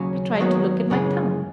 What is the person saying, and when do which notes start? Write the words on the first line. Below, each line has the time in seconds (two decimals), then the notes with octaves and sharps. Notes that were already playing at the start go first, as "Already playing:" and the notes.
I tried to look at my tongue.
Already playing: D#2 C#3 F#3 C#4
0.39 D#2 D#3 F#3 B3 F#4
0.90 F#2 C#3 E3 G#3